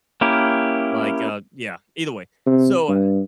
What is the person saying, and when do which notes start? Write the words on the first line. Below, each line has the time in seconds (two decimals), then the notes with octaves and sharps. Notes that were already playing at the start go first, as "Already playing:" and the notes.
like, uh, yeah, either way, so, uh
0.21 A#3 C#4 E4 G4 A#4
2.46 C3
2.89 G2